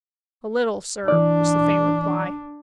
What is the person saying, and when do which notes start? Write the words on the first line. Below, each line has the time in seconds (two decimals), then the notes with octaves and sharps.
"A little, sir," was the faint reply.
1.08 E3 D4 D5